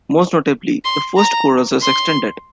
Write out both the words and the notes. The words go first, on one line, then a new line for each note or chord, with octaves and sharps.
Most notably, the first chorus is extended.
C6
A#5
C6